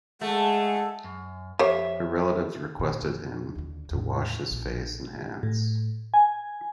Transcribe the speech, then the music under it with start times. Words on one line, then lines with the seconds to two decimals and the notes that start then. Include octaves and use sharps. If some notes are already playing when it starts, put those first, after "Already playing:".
Her relatives requested him to wash his face and hands.
0.21 G#3 A3 G#4 F#5
1.04 F#2
1.59 F2 G4 C5 C#5 E5
2.79 A#2
3.02 F2
3.55 D#2 D3
3.91 E2 A2
4.50 A#1
5.13 A#3
5.43 A2
6.14 G#5